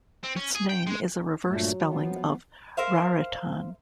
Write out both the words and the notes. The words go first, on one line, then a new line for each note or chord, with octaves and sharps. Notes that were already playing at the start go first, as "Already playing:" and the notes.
Its name is a reverse spelling of "Raritan".
C4
C#4
G#4
G5
G#3
G2 A#2 F#3 A3
F3 B3
A#4 C5 E5 F5